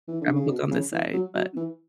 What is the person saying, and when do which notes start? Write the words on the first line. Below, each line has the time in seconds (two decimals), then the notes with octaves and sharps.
have a book on the side." But
0.08 E3
0.21 D3
0.36 C#3
0.49 B2
0.71 C#3
0.92 E3
1.13 F#3
1.35 F#3
1.56 E3